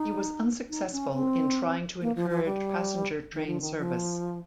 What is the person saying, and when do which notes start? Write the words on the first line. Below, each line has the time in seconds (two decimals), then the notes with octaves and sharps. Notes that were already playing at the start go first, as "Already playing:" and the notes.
He was unsuccessful in trying to encourage passenger train service.
Already playing: D#4
0.70 D#4
0.92 C#4
1.13 C4
2.02 A#3
2.16 F3
2.30 F3
2.45 G3
3.33 D#3
3.47 F3
3.61 D#3
3.78 F3